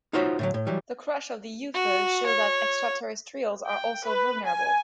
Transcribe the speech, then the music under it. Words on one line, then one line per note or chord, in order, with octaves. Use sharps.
The crash of the UFO shows that extraterrestrials are also vulnerable.
D#4 F4 F#4 C5 C#5 E5
A2 D3 F#3
A2
E3 F#3 G3
F#4
C#5
G5
B4
G#5